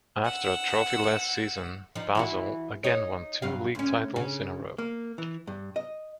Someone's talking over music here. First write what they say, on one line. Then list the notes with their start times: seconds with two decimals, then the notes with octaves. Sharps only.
After a trophy-less season, Basel again won two league titles in-a-row.
0.25 F#5 E6
1.95 F3 D#4
2.15 E3 E4 F#4
2.84 D#4 C#5
3.42 G2 F#3 F5
3.75 D2 C#4
4.16 C#3
4.78 A#3
5.18 E3
5.47 G2
5.76 D#5